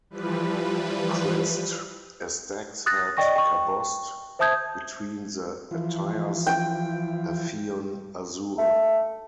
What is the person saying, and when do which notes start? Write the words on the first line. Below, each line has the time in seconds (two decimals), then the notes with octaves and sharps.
Crest: a stag's head cabossed, between the attires a pheon azure.
0.10 E3 F3 G3 B4
2.86 D#6 F#6 A6 A#6
3.17 D5 D#5 G5 C#6 A#6
3.36 G5 C#6
4.39 C5 E5 A5 D#6 G6 G#6
5.71 E3 F3
6.47 G5
8.59 A3